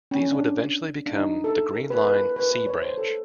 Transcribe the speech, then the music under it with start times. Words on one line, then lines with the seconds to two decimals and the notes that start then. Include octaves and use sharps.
These would eventually become the Green Line "C" Branch.
0.11 C#4
0.31 D4
1.06 D4
1.14 D#4
1.44 A4
1.75 A#4
1.90 B4
2.05 B4
2.21 A#4
2.36 B4
2.51 B4
2.67 C#5
2.82 C5
2.98 A4